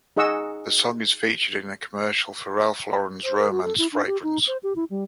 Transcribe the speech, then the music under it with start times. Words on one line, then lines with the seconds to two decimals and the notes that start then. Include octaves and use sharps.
The song is featured in a commercial for Ralph Lauren's Romance fragrance.
0.17 D#4 G#4 D#5 F#5 C#6 E6
3.24 C5
3.38 A#4
3.51 F#4
3.63 A4
3.78 E4
3.93 D4
4.06 G4
4.23 D#4
4.47 C5
4.63 G4
4.76 E4
4.90 G3